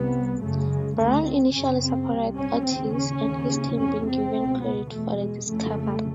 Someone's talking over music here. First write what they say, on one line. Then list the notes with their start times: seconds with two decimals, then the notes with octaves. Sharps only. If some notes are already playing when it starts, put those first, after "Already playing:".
Brown initially supported Ortiz and his team being given credit for the discovery.
Already playing: C2 C3 B3
0.41 F#2 C#3 A3
0.69 G#3
0.97 D2 C#3 A3
1.25 C4
1.53 F#2 C#3 C#4
1.82 C4
2.10 C2 C3
2.38 C#4
2.66 D#2 C#3 C4
2.94 C#4
3.23 D#2 C#3
3.78 E2 C3 C#4
4.07 C4
4.35 C#2 B2
4.63 B3
4.91 E2 B2 A3
5.19 G#3
5.48 F2 C#3 A3